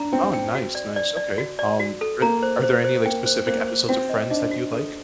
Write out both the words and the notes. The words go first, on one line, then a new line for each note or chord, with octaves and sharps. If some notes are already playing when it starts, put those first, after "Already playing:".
Oh, nice, nice, okay, um, are are there any like specific episodes of Friends that you like
Already playing: D4 A#5
C4 G5
G5
F#4
D5
D5
D5
F#4
D5
F#4
A4
A#3 A#5
C5
C5
C5
A#3 G5
C5
A#3 C5
C5
C4 F#4
D#5
D4 D#5
F#4
A4